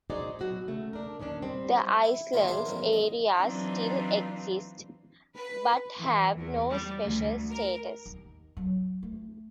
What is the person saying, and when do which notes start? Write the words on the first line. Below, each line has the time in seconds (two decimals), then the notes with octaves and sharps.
The islands areas still exist, but have no special status.
0.10 D#4 F#4 G#4 C5 D5
0.39 B2 F#3 F#4
0.68 C#3 A3
0.93 D4 A#4
1.20 D#2 D#3 C#4 D4
1.42 G3 C4
2.04 E4
2.33 D#2 A#2 E3 F4 D5 B5
2.47 D4 E4 G#4 A#4 C5 D5
2.66 A1 G2 B2 F3 F#3 A#4
2.93 D#5
3.38 E3 F#3 C4 D4 D#4 F4
5.36 B4
5.96 E3
6.36 E2
6.70 G3
7.02 D2
7.50 A#4
8.06 D#2
8.57 F#3
9.03 A3